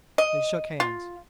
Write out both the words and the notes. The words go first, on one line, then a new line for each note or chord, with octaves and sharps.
They shook hands.
D#5
F4